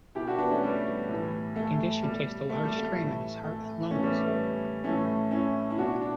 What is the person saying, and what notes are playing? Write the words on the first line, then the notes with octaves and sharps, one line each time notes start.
The condition placed a large strain on his heart and lungs.
B2 E4 G4
D4 F#4
B3 D4
A3 C#4
G3 B3
A2 E3
A3
B2 G3
A3
G3
A3
A2 E3
A3
A2 E3 A3 C#4
G3 B3
G3
A3
A2 E3 A3 C#4
C#4 E4
E4
B2 D4 F#4
D4